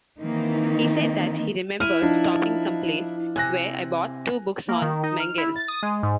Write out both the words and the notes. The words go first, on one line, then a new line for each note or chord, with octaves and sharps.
He said that he remembered stopping someplace where I bought two books on Mengele.
D#3 E3 A#3 C4 D#4
E4 F6 D#7
F3 D4 D#4
C3 G#5 F#6 A#6
A#3
D#3
D#4
F6
E4
A6
D#6
G#3
G#2